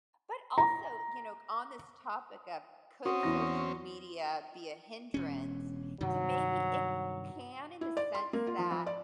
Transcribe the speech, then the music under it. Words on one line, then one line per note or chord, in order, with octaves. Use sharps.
but also, you know, c on this topic of "Could social media be a hindrance?" To maybe it can in the sense that
A#5
C4 C#4 F#4 D#6
E2 E3 A#6
E1 C#4
G2 C3 D#3 F#3
E4
D5
C6
A#3
F4
F3
F3
D5